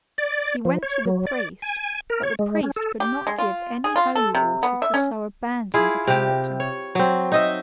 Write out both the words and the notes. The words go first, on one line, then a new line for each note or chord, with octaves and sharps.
He went to the priest, but the priest could not give any holy water to so abandoned a character.
D5
F3
C#5
F#3
D5
G#5
A#4
C#5
G#3
C#4
A4
G4
G#3
F4
G#4
F4
A4
C3
B3
E5
C#4
E4 F4 G#4
C3 G4
C#5
F#3 C4
D#4 D#5 E5